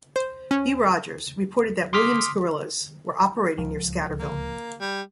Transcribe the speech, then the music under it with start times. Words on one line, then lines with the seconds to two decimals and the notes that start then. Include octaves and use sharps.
B. Rogers, reported that "Williams Guerillas" were operating near Scatterville.
0.16 C5
0.51 C#4
1.93 C6 D6 D#6 F6 B6
3.57 D1 C#2 F3
4.19 A#3
4.80 G3